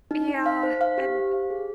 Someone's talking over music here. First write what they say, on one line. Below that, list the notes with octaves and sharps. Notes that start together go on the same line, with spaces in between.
Yeah, and,
D#4
D#4
F5
C5
F5
G4
C5
F5
G#4